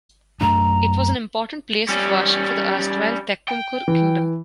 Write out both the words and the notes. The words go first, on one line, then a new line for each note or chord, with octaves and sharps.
It was an important place of worship for the erstwhile Thekkumkur Kingdom.
F#2 A3 D4 A#5
G3 C#4
G5
E3